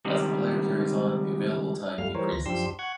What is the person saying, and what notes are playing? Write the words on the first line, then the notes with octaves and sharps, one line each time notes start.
As the player carries on, the available time decreases.
C#2 C3 D#3 G3
F#2 G3 A3 F5 F6
E3 G3 A#4 C5 C#5
D2 E3 A#6
F#2 F3 D4 G4 C6 E6
F#5 C#6 F#6 G#6